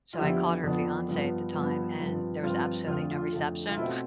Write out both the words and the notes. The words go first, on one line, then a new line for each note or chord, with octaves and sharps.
so I called her fiancé at the time, and there was absolutely no reception.
F4
F2 D3 F3 B3 D4 E4 G4
F2 D3 F3 B3 D4
G2 F3 B3
G2 F3 B3
G2 F3 C4
G2 F3 C4 F4
F2 D3 A3 F4
F4
F2 D3 A3
F4
B2 A3 C4 E4